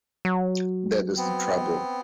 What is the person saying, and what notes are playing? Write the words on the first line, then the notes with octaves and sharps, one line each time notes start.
That is the trouble.
F#3
B3 C4